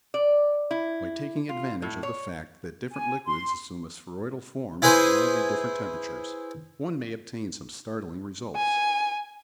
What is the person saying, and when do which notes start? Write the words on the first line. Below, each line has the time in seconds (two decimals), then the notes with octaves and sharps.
By taking advantage of the fact that different liquids assume a spheroidal form at widely different temperatures, one may obtain some startling results.
0.14 D5
0.71 E4
1.49 F4
1.82 A2
2.03 C#5
2.92 G#5
3.26 C6
4.82 E4 G#4 B4 C5 G#5
8.56 G#5